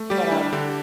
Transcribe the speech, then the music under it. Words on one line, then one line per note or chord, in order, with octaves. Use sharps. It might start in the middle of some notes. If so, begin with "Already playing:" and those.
But, um,
Already playing: A3
G3 G4
D4 E4
D3 G4